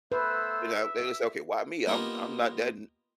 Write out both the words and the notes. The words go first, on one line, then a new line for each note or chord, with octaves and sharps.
You know, I they would say, "Okay, why me? I'm I'm not that n
A3 B3 B4 C5 E6
E5
A#3 B3 D#4 F4 G4 A#4